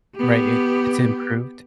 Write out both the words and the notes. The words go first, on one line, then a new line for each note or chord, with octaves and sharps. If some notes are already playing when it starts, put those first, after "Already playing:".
Right. It It's improved.
B3 G4